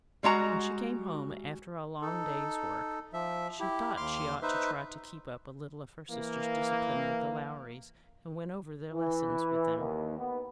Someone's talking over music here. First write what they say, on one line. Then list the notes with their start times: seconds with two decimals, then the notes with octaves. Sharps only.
When she came home after a long day's work, she thought she ought to try to keep up a little of her sister's discipline with the Lowries, and went over their lessons with them.
0.23 G3 G#3 F#4 A#5
2.02 D#4 A4
3.13 F3 E5
3.60 E4 G4
3.97 D#2 C6 D6 F6
4.42 D#4 B4 C5 E5
6.09 E3 A#3
8.92 E3
9.77 D#2
10.18 B3